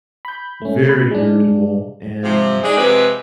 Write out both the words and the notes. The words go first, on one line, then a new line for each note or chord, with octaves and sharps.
very irritable, and,
B5 G6
A3 C#4
B5
G#3 D4
C3 F3
G#3 D4 D#4 G#4
C3 F3 G#3 C4 B4